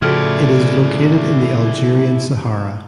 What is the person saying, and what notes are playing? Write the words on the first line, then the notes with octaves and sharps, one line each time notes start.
It is located in the Algerian Sahara.
A2 C#3 F3 E4 F#4 A4 D5 F6